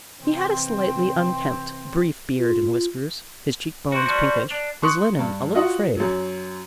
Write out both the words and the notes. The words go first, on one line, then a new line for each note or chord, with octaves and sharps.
He had a slightly unkempt, brief beard and whiskers, his cheek-bones pinkish, his linen a little frayed.
C3 E3 C4
F4
E4 F#4 C5
G3 D4 F#4
D4
C6 C#6 D#6 F#6 C#7
G2
F4 F#4 D#5 F#5
F#2 F#3